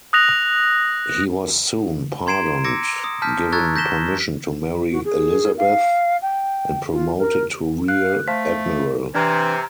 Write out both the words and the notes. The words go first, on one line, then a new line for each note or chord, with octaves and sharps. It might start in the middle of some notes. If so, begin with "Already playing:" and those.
He was soon pardoned, given permission to marry Elizabeth, and promoted to Rear Admiral.
D#6 F#6 A#6 F7
A#5 C6 G#6 C7 D7 E7
D6 E6 G#6 A#6 C#7 D7
D#6
A5 F6 G6 B6
A#5 C#6 E6 F#6 G#6 A6
G6 A#6 B6 E7 G7
F#4
G#4
F5
G5
F4
A#4
F5 F#6
A3 C5 F5 A5 B6
C3 E3 D4 A#5 F6 G#6